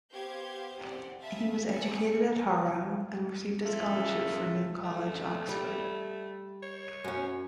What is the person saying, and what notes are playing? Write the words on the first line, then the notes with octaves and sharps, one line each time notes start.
He was educated at Harrow and received a scholarship for New College, Oxford.
B3 G4 C5 F5 G6 G#6
C4 G4 C5 D5 F#5
E5 F5 G#5 A5 B5 D#6
G#5 A5 D6 C#7
A2 C#3 F3 A3
A3
G3
C#5
F#2 C#4